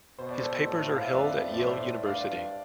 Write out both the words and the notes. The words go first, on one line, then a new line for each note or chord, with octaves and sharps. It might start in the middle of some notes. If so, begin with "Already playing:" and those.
His papers are held at Yale University.
B2 C5
D5
A4 C5
A2
F5
E5
F2 B4 D5
D5
A2 C5 E5
G2 D5 F5